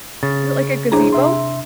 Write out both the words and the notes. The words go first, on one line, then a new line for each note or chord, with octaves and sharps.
Is it like a gazebo?
C#3 A6
D4 E4 G#4 C5 C#5 A#5
C3 E5 C6